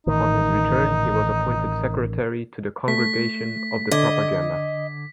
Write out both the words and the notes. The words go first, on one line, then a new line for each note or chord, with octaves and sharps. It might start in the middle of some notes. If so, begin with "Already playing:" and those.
On his return he was appointed secretary to the Congregation of the Propaganda.
A1 D#3 D#4
A3 B6
D3 D#5 D6 G#6